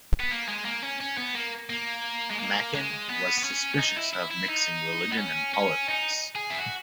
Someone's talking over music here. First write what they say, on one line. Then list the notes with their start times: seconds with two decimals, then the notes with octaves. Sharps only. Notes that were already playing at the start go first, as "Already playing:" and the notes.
Machen was suspicious of mixing religion and politics.
0.20 B3
0.31 A#3
0.49 G#3
0.65 A#3
0.82 C#4
1.00 C#4
1.18 B3
1.35 A#3
1.70 A#3
2.31 G#3
2.40 A#3
2.74 G#3
3.09 B3
3.38 B3
3.44 C#4
3.74 C#4
3.79 D#4
3.97 E4
4.14 E4
4.31 E4
4.49 D#4
5.12 B3
5.18 C#4
5.54 C#4
5.89 D#4
6.36 G#4
6.50 E4
6.58 F#4